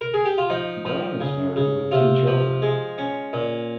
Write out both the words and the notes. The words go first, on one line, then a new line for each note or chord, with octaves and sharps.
Graham is married with two children.
A#4
G#4
G4
F4
F3 D#4
F3
C#3
C#3
C3 F4
F3
G#3
C#4
A#2